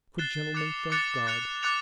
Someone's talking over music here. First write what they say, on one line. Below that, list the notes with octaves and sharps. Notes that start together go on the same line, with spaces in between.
Good gentlemen, thank God!
F#6 A6 C7 E7 G7
D6 F#6 A6 C#7 F7
D6 F#6 A6 C#7 F7
D6 F#6 A6 C#7 F7
D6 F#6 A6 C#7 F7